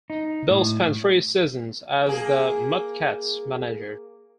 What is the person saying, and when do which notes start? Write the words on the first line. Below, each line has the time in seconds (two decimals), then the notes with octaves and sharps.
Bell spent three seasons as the Mudcats manager.
0.10 D#4
0.50 A2
2.06 A#3 G#4